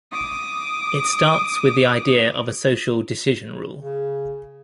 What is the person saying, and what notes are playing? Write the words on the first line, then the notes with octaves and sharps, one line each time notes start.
It starts with the idea of a social decision rule.
D6 D#6
C#3